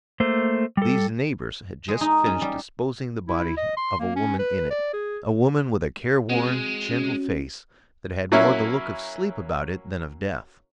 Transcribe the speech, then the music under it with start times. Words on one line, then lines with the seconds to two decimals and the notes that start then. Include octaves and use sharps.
These neighbors had just finished disposing the body of a woman in it--a woman with a careworn, gentle face that had more the look of sleep about it than of death.
0.20 A3 A#3 C5
0.77 G3 A4
1.88 G#3
2.01 D#4
2.26 C#4
2.42 G3
3.28 E4
3.57 D#5
3.77 C6
3.99 A#3
4.16 C#4
4.39 B4
4.71 D5
4.93 G#4
6.29 G#3 C4 F#4
6.90 C#4
8.32 F#3 A#3 C#4 E4